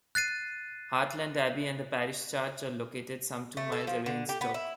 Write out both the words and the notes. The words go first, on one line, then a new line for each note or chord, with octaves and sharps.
Hartland Abbey and the parish church are located some two miles away in Stoke.
F#6 A6 C7 D#7
A3
A4
F3
D3
G4
B3
E4